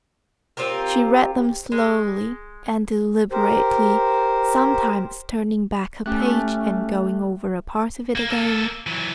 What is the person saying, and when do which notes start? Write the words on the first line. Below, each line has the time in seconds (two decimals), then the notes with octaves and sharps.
She read them slowly and deliberately, sometimes turning back a page and going over a part of it again.
0.57 C4 F4 G4 A#4
1.72 G#3
3.32 G4 A#4 C5
6.06 A3 C#4 G4 F#6
8.15 A#3
8.29 A#3 A4
8.87 E3 F#3